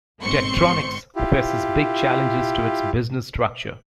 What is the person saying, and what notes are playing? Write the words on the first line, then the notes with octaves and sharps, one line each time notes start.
Tektronix faces big challenges to its business structure.
G1 G#2 C4 C6 C#6 C#7
E4 F4 G4